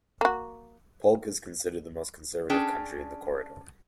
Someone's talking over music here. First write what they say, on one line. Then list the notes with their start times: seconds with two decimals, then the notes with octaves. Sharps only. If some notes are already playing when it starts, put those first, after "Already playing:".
Polk is considered the most conservative county in the corridor.
0.21 A#3 F#4
2.50 C#4 D4 G#4 D5 G5 A5